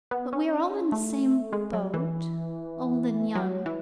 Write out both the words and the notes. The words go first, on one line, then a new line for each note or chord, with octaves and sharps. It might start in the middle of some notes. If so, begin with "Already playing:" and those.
But we are all in the same boat, old and young.
B3
C#4
A3
G#3
F#3
E3
F#3
E3